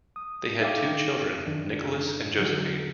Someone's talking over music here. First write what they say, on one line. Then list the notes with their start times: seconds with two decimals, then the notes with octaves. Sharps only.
They have two children, Nicholas and Josephine.
0.16 D#6
0.60 D#4 E5 F5 G5 D6
1.46 F#2 D#3 D4
2.38 D3 F#3